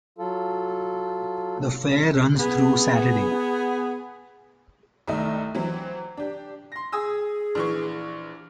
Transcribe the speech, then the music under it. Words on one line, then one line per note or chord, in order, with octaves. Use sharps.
The fair runs through Saturday.
F#3 F4 A4
B3 G#4
C2 D#3 A3 D#5 E5
E3 F#3 C4
D4 G4
C6 A#6
G#4 G#5 D#6 E6
A#1 E3 C#6